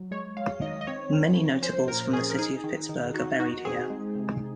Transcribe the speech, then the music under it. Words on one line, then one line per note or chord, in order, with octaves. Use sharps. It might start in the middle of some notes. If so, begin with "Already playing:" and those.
Many notables from the city of Pittsburgh are buried here.
Already playing: F#3
G#3 C#5
G#3 F5
D#3 D#5
D#5
C4 C#5
C4
F3
C#4 C5
A#2 A#4
C#4 G#4
A#4
D#4 G#4
D#3
D#3
D#4 F#4
D#4 F#4
C4 G#4
G#3
C3